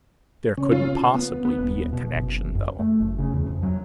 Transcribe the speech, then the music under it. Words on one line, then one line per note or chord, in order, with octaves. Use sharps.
There couldn't possibly be a connection though.
C#3 C#4
F4
B3
B3
D#1
B2
F#1
F#2
A3
F#1
C#3
E2
F2
F#3